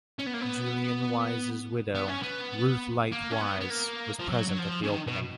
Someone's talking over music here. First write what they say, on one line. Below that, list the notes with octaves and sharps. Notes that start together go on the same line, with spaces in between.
Julian Wise's widow, Ruth Light Wise, was present at the opening.
C#4
B3
A#3
B3
B3
C#4
B3
A#3
C#4
B3
B3
A#3
F3
F#3
F#3
F3
C#3
D#3
B2